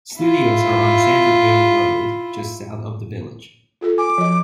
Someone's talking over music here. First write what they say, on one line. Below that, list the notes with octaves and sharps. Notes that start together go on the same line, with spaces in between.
Studios are on Sanfordville Road, just south of the village.
E4 F4
F4 G#4 A4
G#5 D6
F3 D#5